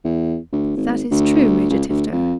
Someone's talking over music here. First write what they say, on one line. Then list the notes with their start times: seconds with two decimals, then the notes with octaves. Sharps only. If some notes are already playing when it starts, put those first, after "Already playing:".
"That is true, Major Tifto."
0.04 E2
0.52 D2
0.77 G#1
1.11 D2
1.70 C#2
1.89 D2
2.12 F2